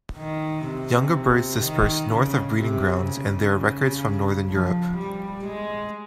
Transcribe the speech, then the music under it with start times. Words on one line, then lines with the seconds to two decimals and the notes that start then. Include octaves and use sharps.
Younger birds disperse north of breeding grounds and there are records from Northern Europe.
0.17 D#3
0.65 C3
1.61 D#3
2.09 C#3
2.57 C3
3.05 C#3
4.49 F3
4.96 G3
5.44 G#3